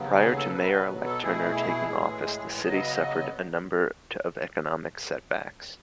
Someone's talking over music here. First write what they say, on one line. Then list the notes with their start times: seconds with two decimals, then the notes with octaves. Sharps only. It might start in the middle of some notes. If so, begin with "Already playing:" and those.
Prior to Mayor-Elect Turner taking office, the city suffered a number of economic setbacks.
Already playing: D#2 C#3 F#3 B3
0.18 G#4
0.36 A4
0.53 B2 F#3 B3 B4
1.05 A4
1.23 B2 A3 E4 G#4
1.92 A2 E3 G#3
2.62 C#3 F#3 B3 D#5